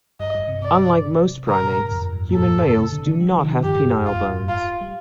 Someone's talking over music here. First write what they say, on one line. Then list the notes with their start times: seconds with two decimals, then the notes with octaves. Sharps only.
Unlike most primates, human males do not have penile bones.
0.20 G2 D#5
0.34 G2
0.48 C3
0.62 C3 D5
1.05 C3
1.48 D3 A#4
1.60 A#2
1.70 A2
1.81 G2
1.92 F2
2.13 G2
2.29 A#2
2.35 A2 A4
2.55 A#2
2.67 D3
2.77 C3
2.92 D3
3.06 D3
3.20 G3
3.30 F3
3.38 D#3
3.48 F3
3.63 G2 G4
3.74 A2
3.85 G2
3.95 F2
4.06 F2 F4
4.17 G2
4.27 G2
4.39 A2
4.49 F4
4.81 G3